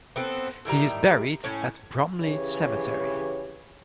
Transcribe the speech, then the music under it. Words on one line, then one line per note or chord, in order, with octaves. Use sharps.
He is buried at Bromley Cemetery.
B3 C4 A4
A2 D#3 G3 A#5
A2 C#4
C#3 E3 G4 G#4 B4 C#5